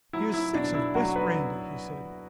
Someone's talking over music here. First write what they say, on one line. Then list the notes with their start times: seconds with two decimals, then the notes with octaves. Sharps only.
"Here's six of best brandy," he said.
0.13 F#3 E4
0.34 E4
0.54 B2 D4
0.74 E4
0.95 F#3 A3 F#4
1.15 B3 B4